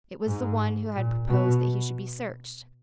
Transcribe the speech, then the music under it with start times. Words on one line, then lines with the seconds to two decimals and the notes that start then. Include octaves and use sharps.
It was the one who had proposed that he should be searched.
0.26 G#2
0.95 A#2
1.28 B2